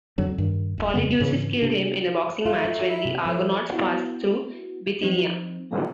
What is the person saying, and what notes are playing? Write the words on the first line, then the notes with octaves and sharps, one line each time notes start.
Polydeuces killed him in a boxing match when the Argonauts passed through Bithynia.
F2 D3 F#3 D4
G2 D#3
D1
F2 C#3 G#3 B3
G#2 C#3 E3
C3 D4
A3 F4
D#4
E4
C3
A2 F3
B3 E4 F#4
F3 C4 D#4